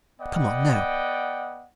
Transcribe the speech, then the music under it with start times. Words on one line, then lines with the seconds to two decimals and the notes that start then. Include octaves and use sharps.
"Come on--now."
0.20 B3 D5 D#5 F#5 G5